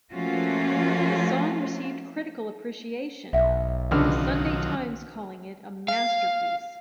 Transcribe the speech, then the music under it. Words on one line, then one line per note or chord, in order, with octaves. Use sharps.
The song received critical appreciation, with "The Sunday Times" calling it a "masterpiece".
F3 A3 A#3 C#4 F4 F#4
B1 D#5 E5 F#5
C#2 D3 D#3 F3 F#3 F6
F5